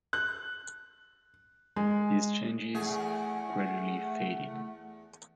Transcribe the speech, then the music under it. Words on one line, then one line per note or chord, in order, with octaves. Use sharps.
These changes gradually faded.
F#6
G#3
E2 A3 G#4 F#5